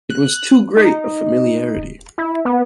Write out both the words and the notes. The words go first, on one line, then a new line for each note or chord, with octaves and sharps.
It was too great a familiarity.
F#6
D#4
E4
B3